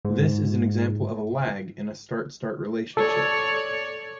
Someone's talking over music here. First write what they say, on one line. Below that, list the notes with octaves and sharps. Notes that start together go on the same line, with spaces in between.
This is an example of a "lag" in a Start-Start relationship.
G#2
A4 C#5 D5